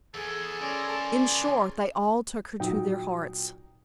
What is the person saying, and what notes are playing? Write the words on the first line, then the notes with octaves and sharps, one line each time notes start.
In short they all took her to their hearts.
E2 E3 G#4 A4
E3 C#4 A#4 D5 C6
A4 A5
G#4
A#2 F#3 D#4 G5